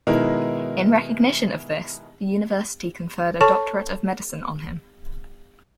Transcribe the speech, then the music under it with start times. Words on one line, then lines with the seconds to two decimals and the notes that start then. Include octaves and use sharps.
In recognition of this the University conferred a Doctorate of Medicine on him.
0.07 B2 D#3 G#3 B3 E4 A#4
3.41 A4 C#5 A5 C#6